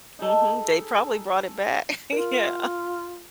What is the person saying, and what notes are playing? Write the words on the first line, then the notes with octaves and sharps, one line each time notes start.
Mhm. They probably brought it back. Yeah,
D#4 G#4 A4 A5
F4 A#4